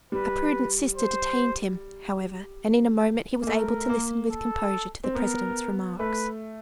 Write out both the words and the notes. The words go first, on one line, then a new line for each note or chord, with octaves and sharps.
A prudent sister detained him, however, and in a moment he was able to listen with composure to the President's remarks.
G3 B4
C5
A#3
A3 A#4
A#3
A4
C4
B3 A#4
A3 B4